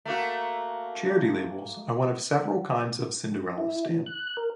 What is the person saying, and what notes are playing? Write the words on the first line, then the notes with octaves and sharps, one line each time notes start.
Charity labels are one of several kinds of cinderella stamp.
A3 A#3 F#4
E4
E3
F#6
A#4